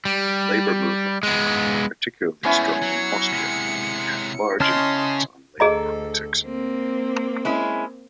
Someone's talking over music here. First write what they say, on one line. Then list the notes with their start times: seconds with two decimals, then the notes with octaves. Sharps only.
Labour movements are particularly strong in Austria and have large influence on labour politics.
0.05 G3
1.23 G#3 B3
2.44 G#3 A3 B3 C#4 E4
2.82 F#3 C#7
3.33 C3 G#3
4.60 C#3 C#4 D#5 A5 C6 F6
5.60 D2 G#4 A4 D#5 A#5
6.43 A#3 C4
7.45 G#3 C#4 E4